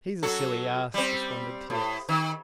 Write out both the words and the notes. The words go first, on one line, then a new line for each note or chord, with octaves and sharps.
"He's a silly ass," responded T. X.
F#3 F#4 A4
G3 C4
A2
D#3